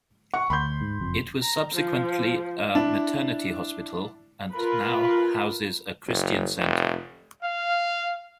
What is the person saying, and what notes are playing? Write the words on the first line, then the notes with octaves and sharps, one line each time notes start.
It was subsequently a maternity hospital, and now houses a Christian centre.
F#5 C#6
D2 B5 C6 G6
G#2
F#1 F2
A#5
F3
D4 E4
F4 A#4 B4 B5
F#1
F1
F5